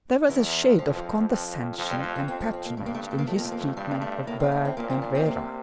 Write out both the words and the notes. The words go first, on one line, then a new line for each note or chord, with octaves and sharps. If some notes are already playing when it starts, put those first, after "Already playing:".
There was a shade of condescension and patronage in his treatment of Berg and Vera.
E2 E3
F2 F3
E3
F3
F2
F2 F3
G3
A3
C4
F2 C4
C4
C4
A#3
G2 A3
A#3
A3
A#3
A3
A#3
F2 A3
A#3
A3
A#3
A3
G2 G3
A#3
A3
A2 A#3
C4
D4
C4
A#2 A#3
C4
D4
C4
C3 A#3